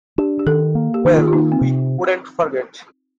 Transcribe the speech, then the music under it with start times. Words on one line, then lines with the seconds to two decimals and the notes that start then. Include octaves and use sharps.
Well, we couldn't forget.
0.18 D4 G4
0.39 G4
0.46 D#3 A4
0.75 A#3
0.94 G4
1.05 D#3 D#4
1.14 F4
1.28 F4
1.32 A#3 D#4
1.52 C4
1.61 C3